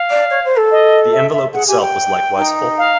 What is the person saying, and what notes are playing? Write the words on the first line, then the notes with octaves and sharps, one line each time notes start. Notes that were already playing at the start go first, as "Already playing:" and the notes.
The envelope itself was likewise full.
Already playing: F5
D5
C#5
C5
A4
D#5
E5
E5
G#4 F#5
G4 G#5
G5
D#4
F5